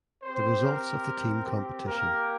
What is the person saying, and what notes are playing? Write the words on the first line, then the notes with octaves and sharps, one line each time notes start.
The results of the team competition.
C4 G4 C5
A#4
G4
A#3 G4 A#4